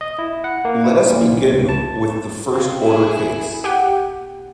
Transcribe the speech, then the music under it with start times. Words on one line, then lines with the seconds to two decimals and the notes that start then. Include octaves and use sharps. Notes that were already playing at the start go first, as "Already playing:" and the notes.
Let us begin with the first order case.
0.01 D#5
0.19 E4
0.44 F#5
0.65 A#3
0.84 E4
1.10 A#2
1.30 B1
1.51 C#2
1.69 A5
2.50 C4 F4
2.81 E4 G#4
3.64 G4 F#5 G5